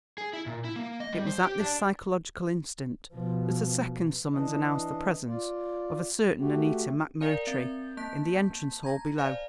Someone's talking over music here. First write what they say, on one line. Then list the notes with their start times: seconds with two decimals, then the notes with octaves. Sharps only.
It was at this psychological instant that a second summons announced the presence of a certain Annita McMurtry in the entrance hall below.
0.18 G#4
0.33 E4
0.46 A#2
0.64 E4
0.76 A#3
1.00 D#5
1.13 G3
1.27 C5
1.42 G4
1.60 D4
3.14 B2 F3
4.34 E3 D4 D#5
5.28 F4 D5
6.40 A3 F#4 G4
7.21 A#4 D5 F5 G#5 A#5
7.46 C4 E5 G6 A6
7.97 A#3 A5 G6 B6
8.83 A#5 G#6 A#6
9.18 C5 D5 F5 G#5